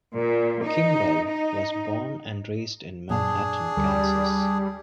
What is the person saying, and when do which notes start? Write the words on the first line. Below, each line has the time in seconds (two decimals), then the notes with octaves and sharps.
Kimball was born and raised in Manhattan, Kansas.
0.14 A#2
0.63 D#4
1.28 D#4
3.10 F#2 A#2 D4 G#4
3.77 D2 G3